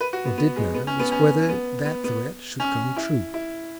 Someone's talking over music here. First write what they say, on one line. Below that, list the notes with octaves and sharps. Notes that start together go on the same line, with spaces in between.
What did matter was whether that threat should come true.
B4
F#4
B3
B3
G#3
B3
C#4
B3
C#4
B3
B3
B3
C#4
E4
E4